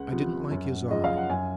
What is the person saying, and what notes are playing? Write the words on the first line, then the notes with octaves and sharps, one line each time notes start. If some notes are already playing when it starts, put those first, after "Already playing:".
I didn't like his eye.
Already playing: C#2 F#5
C3 F3
F#2
C#3 F3 D#5
F5
F#5
F#2 G#5